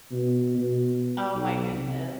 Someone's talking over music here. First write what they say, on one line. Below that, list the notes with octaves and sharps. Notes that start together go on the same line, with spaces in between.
Oh my goodness.
B2
B2
B1
C3